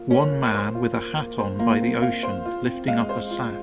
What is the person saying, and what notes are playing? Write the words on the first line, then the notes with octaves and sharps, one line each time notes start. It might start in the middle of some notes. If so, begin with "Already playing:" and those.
One man with a hat on by the ocean, lifting up a sac.
Already playing: A#3 F4
A#3 C#4
A#3
C5
F4
A#3
A#3
C5
A#3 F4
C4
F5
C5
F4
C4
G#3 F5
C5
F4